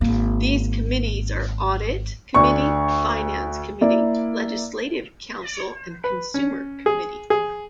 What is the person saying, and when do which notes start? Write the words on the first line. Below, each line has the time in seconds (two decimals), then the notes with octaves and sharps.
These committees are Audit Committee, Finance Committee, Legislative Council, and Consumer Committee.
0.01 G#1 A#3
2.35 D2 D4 C#6
3.81 A#3 E4 D5
6.04 B4
6.34 C#4
6.86 G#4
7.30 G#4